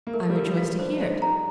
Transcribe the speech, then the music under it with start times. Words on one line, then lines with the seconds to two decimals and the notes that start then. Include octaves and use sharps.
'I rejoice to hear it.
0.07 A#3
0.14 A3 A#4
0.30 G3
0.36 A#4
0.47 F3
0.57 F5
0.63 G3
0.79 D4 C5
1.01 D#4 C5
1.22 D#4 A#5